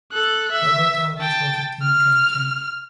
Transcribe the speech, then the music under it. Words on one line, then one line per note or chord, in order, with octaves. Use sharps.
Robert Albus was the team captain.
A4 F#6
E5
G5 A5
F6